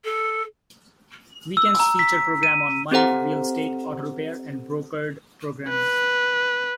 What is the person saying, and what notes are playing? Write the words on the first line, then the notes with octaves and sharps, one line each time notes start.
Weekends feature programs on money, real estate, auto repair and brokered programming.
A4
E6
A#5
B6
D#7
C4 G4 A4 C5 F#5 A#5
B4